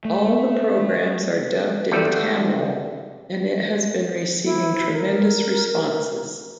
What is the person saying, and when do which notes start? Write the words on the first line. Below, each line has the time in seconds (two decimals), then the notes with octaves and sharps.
All the programmes are dubbed in Tamil and it has been receiving tremendous responses.
0.05 A3
1.92 G#1 D#3 G3 A3 A4 F#5
4.44 E4
4.93 A#4